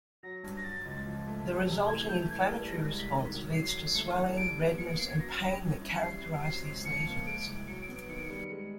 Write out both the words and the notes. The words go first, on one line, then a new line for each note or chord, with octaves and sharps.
The resulting inflammatory response leads to swelling, redness, and pain that characterize these lesions.
F#3 A#6
G2
A#6
F#3 A6
C#2
F3
A3
G3
C3
E3 G#6
A3 G6
E3 G#6
G3
G#3 A#6
A#6
C2
B6
D#3
F#3
F#3 C7
D#2
A3 C#7
A2
G3 D7
B3
A#3 C#7
D7
C#4 C7
G#6
F#3 A#6
G2
C#4
E4
G3 C7
C4
F#3 C7
C#2
F3 C#7
A#3
G#3 D7
C2
F#3 C#7
D7
B3
D7
D#3 C#7
D7
C#7
G3
G#3